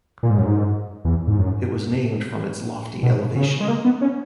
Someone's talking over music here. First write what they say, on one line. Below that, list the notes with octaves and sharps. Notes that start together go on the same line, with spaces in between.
It was named from its lofty elevation.
A#2
G#2
F#2
G#2
E2
G#2
F#2
B2
C#3
G#3
A#3
B3
C#4